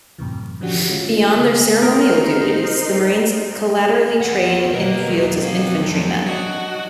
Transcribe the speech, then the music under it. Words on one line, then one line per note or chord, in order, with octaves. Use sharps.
Beyond their ceremonial duties, the Marines collaterally train in the field as infantrymen.
F#2 A2 C3 E3
D3 F3 C#4 D4 F#4 G4
D#3 G#3 C#4 F4
C#3
D#4 A#4 C5
E2 F#5
B2 D#3 A#3 A#4
E2 F#3
C4 F5
F2 G5
D4 D#4 F#4 C#5